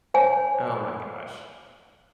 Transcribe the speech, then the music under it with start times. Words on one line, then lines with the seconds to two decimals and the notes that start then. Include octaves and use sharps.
Oh my gosh.
0.14 C5 C#5 G#5